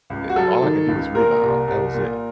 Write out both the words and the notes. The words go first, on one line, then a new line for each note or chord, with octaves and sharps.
Eh, all I could do was rebound. That was it.
C#2
F#4
F#3 A4
D#3
C#2
A#2 A#4
C2
C2
A#2